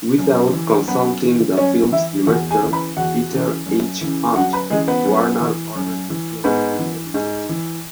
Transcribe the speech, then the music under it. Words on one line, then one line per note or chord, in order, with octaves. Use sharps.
Without consulting the film's director, Peter H. Hunt, Warner ordered the film re-edited.
F#2
E3
F#2 B3 B4
E3
F#2 C#4 C#5
E3 E4 E5
E2 F#4 F#5
G#4 G#5
C#3 E3
B4 B5
E2 F#4 F#5
C#3 E3
F#2
C#3 E3
F#2 F#4 F#5
B4 B5
C#3 E3 G#3 G#4
B3 B4
F#2
E3
F#2
E3
G#2 B3 B4
E3
G#2
E3